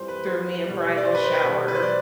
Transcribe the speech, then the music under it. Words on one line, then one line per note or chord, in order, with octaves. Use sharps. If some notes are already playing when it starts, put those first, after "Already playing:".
threw me a bridal shower,
Already playing: F2 E3 G3 C5
B4
C5
B2 G3
D5
C5
B4
C5
B4
B2 G3
B4
C5
D5